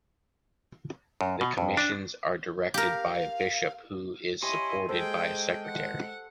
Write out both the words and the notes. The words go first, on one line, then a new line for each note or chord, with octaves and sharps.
The commissions are directed by a bishop, who is supported by a secretary.
F#2
B2
F2
D4
G4 A#4 F5
E4 G4 C#5 D#5 G#5 C6
G#3 G#4 A4 C5 G5
F#5